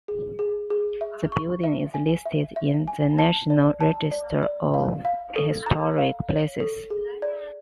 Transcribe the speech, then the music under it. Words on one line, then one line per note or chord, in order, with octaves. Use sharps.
The building is listed in the National Register of Historic Places.
G#4
G#4
G#4
E5
C#6
E5
G#5
E5
E5
G#5
A5
D5
A5
D5
D5
F5
F5
A4
A#5
F5
C#5
A4
G#4
D5